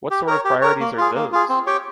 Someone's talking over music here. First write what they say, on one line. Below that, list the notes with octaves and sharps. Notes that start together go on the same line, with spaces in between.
What sort of priorities are those?
G4
A#4 C#5
G4
A#4 C#5
A#3
F4 G#4
A#3
F4 G#4
C4
G4 C#5 G5